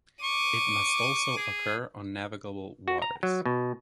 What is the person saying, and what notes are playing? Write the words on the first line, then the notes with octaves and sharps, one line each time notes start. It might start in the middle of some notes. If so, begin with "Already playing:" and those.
It must also occur on navigable waters.
C#6 D6 D#7
G#4
F#4
A#5
F#3
B2